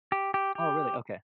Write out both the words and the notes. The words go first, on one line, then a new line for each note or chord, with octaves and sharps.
Oh, really? Okay.
G4
G4
G4